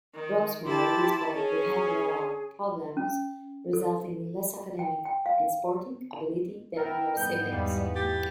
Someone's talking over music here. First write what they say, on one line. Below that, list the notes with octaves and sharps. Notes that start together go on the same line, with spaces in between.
Rosemary displayed behavioral problems, resulting in less academic and sporting ability than her siblings.
D#3
E4 G4 A5 C6 D6
C#4 G#4
C#4
A4
G5
G5
F5
B3 E4 A#4 G5 A6
G#2 G3 B3 D#4 G6
E2 G3 F5 E7
A3 G4 A6